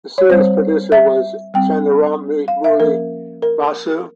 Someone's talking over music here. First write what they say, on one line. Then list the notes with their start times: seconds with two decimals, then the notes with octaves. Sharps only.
The Series Producer was Chandramouli Basu.
0.18 C#5
0.30 G3 C4 C5
0.92 E5
1.54 G3 C4 G5
2.48 F5
2.64 E5
2.79 F3 A#3 C#4 A#4
3.42 A#4